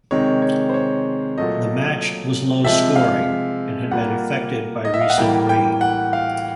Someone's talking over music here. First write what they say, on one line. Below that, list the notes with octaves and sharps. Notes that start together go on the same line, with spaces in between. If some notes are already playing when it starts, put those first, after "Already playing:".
The match was low scoring and had been affected by recent rain.
C3 D#3 G#3 C#5
C#5
C5
C#5
A#2 F#3 A3 D#5
C3 F3 G#3 E5
F5
A#2 G3 A#3 F#5
D#5
E5
F5
F#5
A2 E3 G3 A#3 G5
G5
F#5
F5